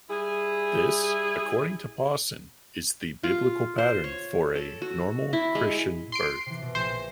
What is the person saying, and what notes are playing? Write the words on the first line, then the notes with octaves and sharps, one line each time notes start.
This, according to Pawson, is the biblical pattern for a "normal Christian birth".
G3 E4 G#4
F4
C5
C#5
A4
F#4
E4
G#3
C6 C7 D7
C3 E3
B2
A#1 C5 C7